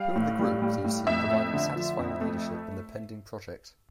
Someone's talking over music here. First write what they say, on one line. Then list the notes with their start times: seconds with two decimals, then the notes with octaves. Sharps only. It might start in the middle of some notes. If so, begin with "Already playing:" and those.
Who in the group do you see providing satisfying leadership in the pending project?
Already playing: G3 F5
0.16 A2
0.39 G3
0.62 G3
0.85 A2
1.07 F2 E5
1.30 A3
1.53 D3
1.76 F3
1.99 F2
2.21 A3